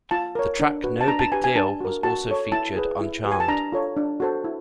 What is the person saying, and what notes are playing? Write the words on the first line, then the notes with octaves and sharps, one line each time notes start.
The track "No Big Deal" was also featured on Charmed.
F4 A5
A#4 C#5
D4
F#4 B4
A5
D4 A#5
A5
G4 B4 G#5
G#5
D4 A5
F#4 A#4
F#4 A5
A4 C#5
E4 A5
G#4 B4
E4
G4 B4
G#5
A5
D4 A#5
F4 A4 C#5
D4
F#4 A4 C5
E4